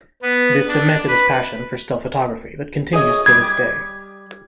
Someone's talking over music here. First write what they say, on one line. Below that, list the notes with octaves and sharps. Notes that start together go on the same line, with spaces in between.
This cemented his passion for still photography that continues to this day.
B3
D4
B4
G#4 C#5 D#5
G3 G4 G#6